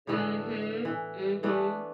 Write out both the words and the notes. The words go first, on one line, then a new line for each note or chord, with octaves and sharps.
Mhm. Mhm.
A2 D3 E3 B3
E3
E3 A3 B3 D4